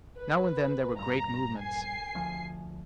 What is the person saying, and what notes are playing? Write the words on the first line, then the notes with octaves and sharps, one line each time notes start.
Now and then there were great movements.
B4
A#1 G2 A#5
G#5 C7
D2 F3